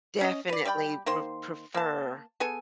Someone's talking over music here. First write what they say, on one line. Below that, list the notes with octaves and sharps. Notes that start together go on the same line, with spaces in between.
Definitely re prefer
C#4 D#5
B4 D5
G3 D5 G5 B5
D#3 A#3 C5 C6
A#3 A5
B3 G#4 A4 G#5